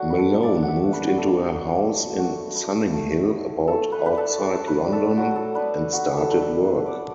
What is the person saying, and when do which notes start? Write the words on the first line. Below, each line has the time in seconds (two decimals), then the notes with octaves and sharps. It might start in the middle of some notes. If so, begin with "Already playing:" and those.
Malone moved into a house in Sunninghill, about outside London, and started work.
Already playing: F#3 A3 D4 F#4
0.10 B4
0.18 A4
0.30 A3 D4
0.43 D5
0.63 F#5
0.68 A3 E5
0.93 B4
1.05 D4 F#4
1.18 A4
1.43 A3
1.80 D4
2.18 A3 F#4
2.55 E4
2.93 A3
3.30 E4
3.68 A3 A4
3.92 B4
4.05 D4 B4
4.18 A4
4.42 A3
4.67 B4
4.80 D4
4.93 A4
5.17 F#3 F#4
5.36 A4
5.55 B3 D4 B4
5.92 F#3 F#4
6.13 A4 B4
6.30 B3 D4 B4
6.42 A4
6.67 F#3
6.86 D5